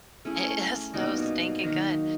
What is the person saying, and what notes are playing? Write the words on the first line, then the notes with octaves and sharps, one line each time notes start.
It is so stinking good.
A3 C#4 E4 G#4
B2 G3 A#3 D#4
D#3 F#3 A#3 D#4